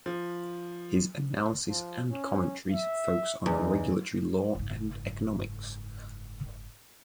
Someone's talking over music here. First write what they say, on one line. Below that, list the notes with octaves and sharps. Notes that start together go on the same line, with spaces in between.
His analysis and commentaries focus on regulatory law and economics.
F3
F3
C#4
E5
E2 D#4
F#1 G#2